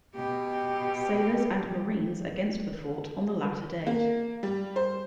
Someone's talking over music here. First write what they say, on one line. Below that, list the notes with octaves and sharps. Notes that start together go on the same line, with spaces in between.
Sailors and Marines against the fort on the latter date.
B2 G4
A#3
G3
C5